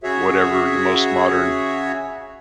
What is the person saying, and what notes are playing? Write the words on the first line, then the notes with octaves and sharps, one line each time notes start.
whatever the most modern,
C#3 F#4 G#4 C#5 E5